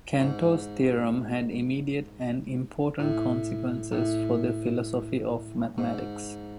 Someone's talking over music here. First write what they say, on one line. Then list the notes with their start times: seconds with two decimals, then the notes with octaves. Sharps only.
Cantor's theorem had immediate and important consequences for the philosophy of mathematics.
0.21 G#2
3.00 A2
3.92 A2
5.78 G#2